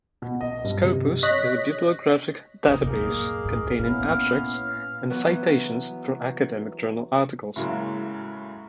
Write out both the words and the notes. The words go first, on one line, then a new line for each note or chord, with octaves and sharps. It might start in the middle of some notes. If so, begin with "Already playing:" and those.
Scopus is a bibliographic database containing abstracts and citations for academic journal articles.
B2
D#5
G2
C3
C#5 D#5 F#6 A#6 B6
F2 C3 D#4
F#2 A#2 A#3 G#4 A#4 D#5
D1 A2
A#2 B3 C#4 E4 F5
E3 F#3 B3
A2 C#3 F#3 G#3 A#3